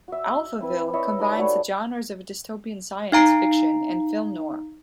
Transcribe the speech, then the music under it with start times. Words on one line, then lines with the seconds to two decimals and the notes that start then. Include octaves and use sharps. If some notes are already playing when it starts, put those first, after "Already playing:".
"Alphaville" combines the genres of dystopian science fiction and film noir.
0.08 F#4 E5
0.61 C4 E4 B4
0.93 E4 C#5 D#5 E5
1.19 G3 D#4 D5 G#5
1.36 G3 A3 F#4 C#5
3.12 D#4 F5 A#5 C7 D7